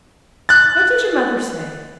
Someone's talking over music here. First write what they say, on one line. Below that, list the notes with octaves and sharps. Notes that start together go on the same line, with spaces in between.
What does your mother say?
F#6 A6